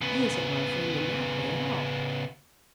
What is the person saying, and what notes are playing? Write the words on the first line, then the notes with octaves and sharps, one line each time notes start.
"He isn't my friend in that way at all."
C#3 B3